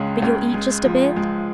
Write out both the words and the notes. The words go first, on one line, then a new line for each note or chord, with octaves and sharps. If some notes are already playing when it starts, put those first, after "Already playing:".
But you'll eat just a bit?
Already playing: C#2 C#3 G#3 C#5
C#2
G#3
F3
G#3